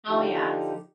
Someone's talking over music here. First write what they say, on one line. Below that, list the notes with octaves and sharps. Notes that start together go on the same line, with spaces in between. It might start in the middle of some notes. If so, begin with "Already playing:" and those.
Oh, yes.
D3 F3 D#4 G4